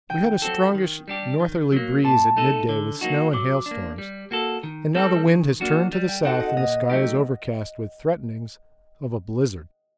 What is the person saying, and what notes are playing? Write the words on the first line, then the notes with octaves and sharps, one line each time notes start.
We had a strongish northerly breeze at midday with snow and hail storms, and now the wind has turned to the south and the sky is overcast with threatenings of a blizzard.
D#3 G5
F#3 C4 F#4 A4
D#3
G3 D4 G4
D#3
F#3 A#3
A#2 A5
A3 D#4 A4
D3
F#3 A#3 D#4 F#4
F#3 D6
D4
A#3
G3
A#3 F#4 A4
D#3
G3 C4 D#4 A4
D#3
F#3 A#3 D4 F#4
G3
G5
C4 D#4 F#4 A4 F#5
D#5
A#2 D#5
F#3 A3 D#4 G4